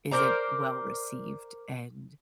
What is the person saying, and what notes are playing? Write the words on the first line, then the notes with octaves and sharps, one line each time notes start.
isn't well-received, and
A#4 C5 D5 A#5